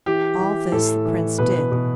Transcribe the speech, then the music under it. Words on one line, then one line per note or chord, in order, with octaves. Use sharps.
All this the Prince did.
E3 G4
E3
A2 A4
E3
B2 B4
B2